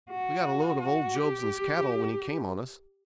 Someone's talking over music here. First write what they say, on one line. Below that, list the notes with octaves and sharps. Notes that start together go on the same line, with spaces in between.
We got a lot of old Jobson's cattle when he came on us.
F#4
F#4
G4